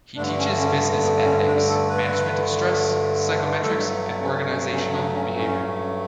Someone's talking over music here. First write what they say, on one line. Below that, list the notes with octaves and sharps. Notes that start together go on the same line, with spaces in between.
He teaches Business Ethics, Management of stress, Psychometrics and Organisational behaviour.
G2 D3 A3 D4
C#4
C#4
B3
B3
C#4
D4
A4
B4
G2 F#3 A3 A4
B3
C#4
C#4
C#4
D4
C#4
C#4